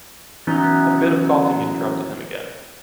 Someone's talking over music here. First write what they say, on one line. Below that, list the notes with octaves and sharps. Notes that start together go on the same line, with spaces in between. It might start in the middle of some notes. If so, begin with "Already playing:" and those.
A fit of coughing interrupted him again.
E3 F#3 B3 C#4 D#4